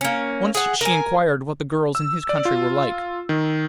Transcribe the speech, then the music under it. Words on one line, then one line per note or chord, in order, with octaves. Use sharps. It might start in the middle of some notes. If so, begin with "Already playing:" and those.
Once she inquired what the girls in his country were like.
A#3 C#4
G#4 F#5
A#4 G#5
E6
D5
F4
D#3